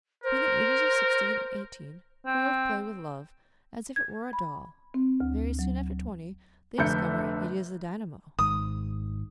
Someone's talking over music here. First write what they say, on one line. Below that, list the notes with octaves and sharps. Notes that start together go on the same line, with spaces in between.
Between the ages of sixteen and eighteen, girls play with love as if it were a doll; very soon after twenty they discover it is a dynamo.
A#4 C5
C4
G#6
B5
C4
D2
F#3
F1 D3 E5 G6 C#7
G#1 G#2 D#6